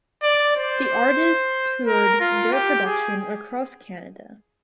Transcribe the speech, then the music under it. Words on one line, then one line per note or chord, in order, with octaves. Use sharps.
The artists toured their production across Canada.
D5
C5
A#4
F4
G4
G#4